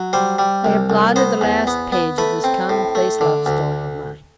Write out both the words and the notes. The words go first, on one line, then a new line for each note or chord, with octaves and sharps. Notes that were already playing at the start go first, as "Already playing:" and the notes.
I have blotted the last page of this commonplace love-story of mine.
Already playing: F#3
G3 C5
G3
C2
C2
B3 C5
E2
B3
B3
A3 B4
C4
A2
A3
D3
D2